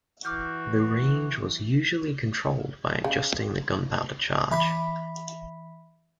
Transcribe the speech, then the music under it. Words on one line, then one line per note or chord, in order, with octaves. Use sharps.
The range was usually controlled by adjusting the gunpowder charge.
E3 E4 F#4 B4 D6 F6 G6
C#3
E3 E5 B5 B6